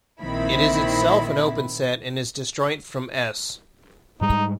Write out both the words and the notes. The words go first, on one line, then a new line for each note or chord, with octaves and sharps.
It is itself an open set and is disjoint from "S".
A#1 D#3 C4 E4 B5
G#2 G3 G#3 D#4